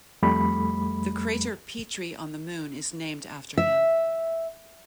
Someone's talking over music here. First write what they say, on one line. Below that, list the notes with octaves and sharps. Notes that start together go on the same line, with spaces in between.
The crater Petrie on the Moon is named after him.
F2 G3 A3 B5
E5